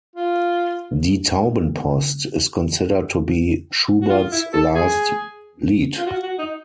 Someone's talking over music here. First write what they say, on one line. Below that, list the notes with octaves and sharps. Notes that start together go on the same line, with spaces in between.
"Die Taubenpost" is considered to be Schubert's last Lied.
F4
F#4
F4
E4
A4
G#4
F4
F#4
F#4
D#4